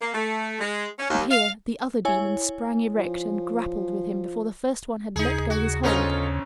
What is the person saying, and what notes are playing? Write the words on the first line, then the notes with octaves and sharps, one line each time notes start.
And here, the other Demon sprang erect and grappled with him before the first one had let go his hold.
A#3
A3
G#3
C#4
D#2
F5
E4 C#5 G#5
F3
D#2 C#3 D#4 G#4
F#4
G1 C#4 F4 A4 C5 D#5